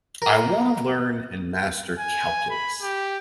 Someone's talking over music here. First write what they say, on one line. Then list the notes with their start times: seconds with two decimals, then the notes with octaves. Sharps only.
I wanna learn and master calculus.
0.22 A#4
1.99 G#5
2.50 B5
2.83 G4